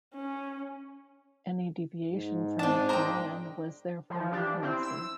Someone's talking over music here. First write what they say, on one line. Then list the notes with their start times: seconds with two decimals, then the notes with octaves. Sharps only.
Any deviation from the Qur'an was therefore heresy.
0.14 C#4
2.12 G#2
2.59 B3 C4 D4 A5
2.89 A#4 C5 D#5 G5
4.10 F3
4.32 E3 D4 G4
4.63 C4 E4
4.83 E6